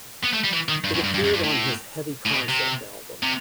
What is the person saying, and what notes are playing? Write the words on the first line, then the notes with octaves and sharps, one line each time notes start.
It appeared on his "Heavy Concept" album.
B3
A3
G3
E3
D#3
G2
F#2
G2
G2
F#2
G2
A2
A2
B2
C3
C3